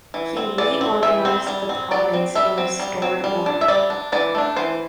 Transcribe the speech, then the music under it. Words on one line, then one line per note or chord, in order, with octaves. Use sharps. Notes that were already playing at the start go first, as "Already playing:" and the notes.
He reorganized the province and restored order.
E3
C4
E3 D5
C4
E3 E5
C4
G3
C4
G3 D5
C4
G3 E5
C4
G3
C4
G3
D4
E5
G3 D5
D4
E3 D5
A3 D4
E3 C5